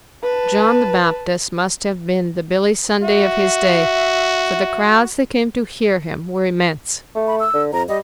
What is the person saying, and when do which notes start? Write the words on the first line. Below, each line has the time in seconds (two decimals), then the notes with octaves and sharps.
John the Baptist must have been the Billy Sunday of his day for the crowds that came to hear him were immense.
0.24 B4 A5
3.03 F#4 E5
7.15 A3
7.27 B5
7.40 E6
7.54 D3
7.73 F2 A#5
7.89 G3 D#5